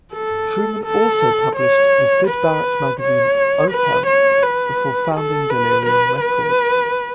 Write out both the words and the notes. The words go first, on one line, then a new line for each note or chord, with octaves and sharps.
Trueman also published the Syd Barrett magazine, "Opel", before founding Delerium Records.
A4
A4
C#5
B4
C#5
B4
C#5
B4
A4
B4
B4
B4